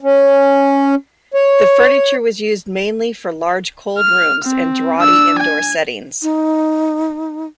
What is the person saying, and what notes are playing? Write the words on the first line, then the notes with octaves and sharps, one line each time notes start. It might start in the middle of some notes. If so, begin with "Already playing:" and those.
The furniture was used mainly for large cold rooms and draughty indoor settings.
C#4
C#5
F6
C4
D4 E6
G#5
D#4